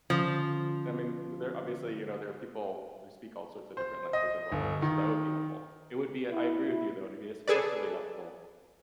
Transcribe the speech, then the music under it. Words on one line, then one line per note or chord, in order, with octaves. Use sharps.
I mean, there obviously, you know, there are people who speak all sorts of different languages all over, so that would be helpful. It would be I agree with you, though, it'd be especially helpful.
D3 F3 C#4
C5
D#5
G1
D#3
E4
G#4 A4 B4 D5